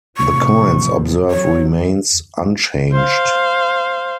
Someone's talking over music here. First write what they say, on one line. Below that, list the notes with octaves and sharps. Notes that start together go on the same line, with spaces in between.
The coin's obverse remains unchanged.
A2 C3 F3 C#6
F#3 C#5
C5 F5